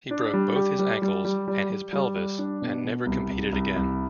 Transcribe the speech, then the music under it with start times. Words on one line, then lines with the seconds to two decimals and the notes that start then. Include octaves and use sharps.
He broke both his ankles and his pelvis, and never competed again.
0.11 D4
0.33 G3
0.56 G4
0.79 G3
1.02 G3
1.25 G3
1.48 G3
1.70 G3
1.93 G3
2.16 G3
2.39 D4
2.62 B2
2.85 B2
3.07 C2
3.30 C2
3.52 C2
3.76 C2